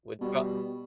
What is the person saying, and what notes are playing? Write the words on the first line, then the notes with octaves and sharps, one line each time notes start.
wi pro
B2 G3